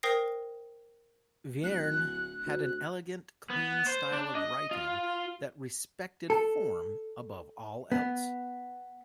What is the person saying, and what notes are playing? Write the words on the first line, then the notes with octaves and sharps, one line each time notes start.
Vierne had an elegant, clean style of writing that respected form above all else.
A#4 C5 G5 D#6 A#6 C7
D1 F#6
D2
B3
C5
D4
D#5
F4
A4
B3